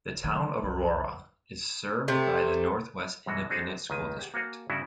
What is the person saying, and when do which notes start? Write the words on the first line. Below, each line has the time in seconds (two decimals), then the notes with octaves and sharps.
The Town of Aurora is served by the Northwest Independent School District.
0.24 D#3 F#3
0.63 C2 F#2
2.08 C3 A3
3.26 F#2 B2 E3 G#3 F#4
3.50 C4 D4 D#4 F#4 G#4 A4
3.90 C#2 D#3 G#5
4.19 G4 G#4 F#5
4.34 A#3 F#4 F5 F#5 G#5 A5
4.70 G2 C#3 B3 C#4 E4 F#4